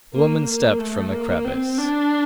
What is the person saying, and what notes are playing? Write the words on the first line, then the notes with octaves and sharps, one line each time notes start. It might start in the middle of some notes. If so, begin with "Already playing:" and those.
The woman stepped from the crevice.
A#3
A#3
A3
A#3
C4
D4